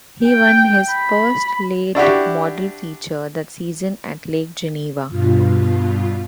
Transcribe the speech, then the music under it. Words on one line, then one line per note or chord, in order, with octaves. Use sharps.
He won his first late model feature that season at Lake Geneva.
G5
B5
D4 E4 F#4 G4
G2 B2 F4